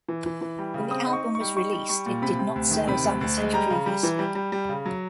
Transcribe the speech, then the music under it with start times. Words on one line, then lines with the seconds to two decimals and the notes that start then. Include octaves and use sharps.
When the album was released, it did not sell as others had previously.
0.08 E3
0.26 E3
0.41 E3
0.59 G3
0.74 C#3
0.91 C4 D#6
1.07 D#4
1.13 C#6
1.24 D#4
1.35 C#6
1.40 G3
1.56 D#4 C#6
1.73 G3
1.89 G3 C#6
2.06 A#2
2.22 C3 B5
2.39 C3
2.56 D2
2.71 D#3
2.87 C3 B5
3.04 D2
3.21 D2
3.38 G#3
3.53 G3 A#5
3.70 C#3
3.86 G3
4.03 E3
4.19 G3
4.35 G3
4.52 G3
4.69 C#3
4.86 F#3